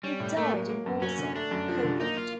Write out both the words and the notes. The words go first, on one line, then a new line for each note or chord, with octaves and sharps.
He died in Warsaw, Poland.
G3 C#4
A2
A3 A#3
F#3
A#3
F#2
F#3 C#4
D3
A3 D4
F#2
F3
D3
A#3 D#4
F4